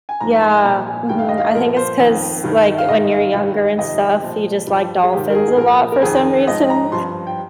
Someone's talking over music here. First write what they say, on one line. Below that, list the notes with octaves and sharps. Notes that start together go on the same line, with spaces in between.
Yeah, mhm, I think it's 'cause, like, when you're younger and stuff, you just like dolphins a lot for some reason,
G#5
G#2 F3 A#5
C6
A#2 F3 A#5
G#5
G2 D#3 G5
F5
D#5
F5
A#2 F3 A#4
A#4
C5
F2 D#3
G2 D#3
F5
G#2 D#3 D#5
F5
G2 D#3
F2 C3 D#3 D#5
A#2 F3
G2 F3
G#4
G#2 D#3 G4
A#4
G#4
G#4
A#2 F3 A#4
A#4
F2 D#3 G#4
G#2 F3 D#5
A#5
G2 F3 C6
G5